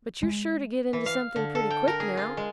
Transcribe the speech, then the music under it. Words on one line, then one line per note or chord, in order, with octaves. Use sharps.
"But you're sure to get into something pretty quick now."
G#3
E3
F5
D3
A4
G5
A#4
G#4
F4
G#3